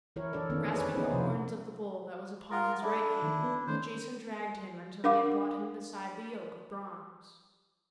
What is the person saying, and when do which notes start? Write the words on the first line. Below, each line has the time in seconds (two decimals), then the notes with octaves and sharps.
Grasping the horns of the bull that was upon his right hand, Jason dragged him until he had brought him beside the yoke of bronze.
0.16 E3 E4 A#4 C#5
0.33 E3 D4 A4 A#4 D5
0.50 D#3 A#3 B3 C#4
0.73 G#4 B4 C#5 D5
0.94 A#3 B3 C#4 D#4 E4 G#4
1.09 C3 F3 E4 C5
2.51 F4 A#4 F#5 A#5
2.83 D4 E4 A4 E5
3.22 D#3 A#3
3.43 B3
3.67 D#3 A3 C#4 C5
5.04 D4 A#4 F5 F#5 D6